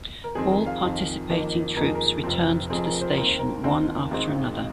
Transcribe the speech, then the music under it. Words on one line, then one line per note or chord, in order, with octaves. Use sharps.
All participating troops returned to the station one after another.
A#4
F2 D#3 C4 G#4
A#4
F5
F2 D#3 C4
F2 D#3 A#3
F2 D#3 A#3 A#4
G#4
A#4
F1 F2 F3 C4
F1 F2 F3 C4 G#4
A#4
C5
D#2 D#3 C4 A#4
C5
A#4
D#2 D#3 C4 D#4
G#1 G#2 D#3 G#3 C4